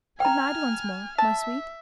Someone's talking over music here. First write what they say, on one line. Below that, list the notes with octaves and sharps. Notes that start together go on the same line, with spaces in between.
Good-night once more, my sweet.'
G5 G#5 A#5 F6
E5 A5